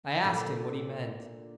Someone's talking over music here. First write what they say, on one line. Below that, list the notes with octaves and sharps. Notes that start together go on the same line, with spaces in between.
I asked him what he meant.
A#2 D3